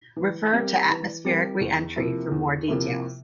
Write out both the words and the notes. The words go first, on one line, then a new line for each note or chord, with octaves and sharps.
Refer to atmospheric reentry for more details.
E3
G3 C4 G4 A#4
E3
G3 C4 G4 A#4
E2
C3 F3 A#3 E4
E2
C3 F3 A#3 E4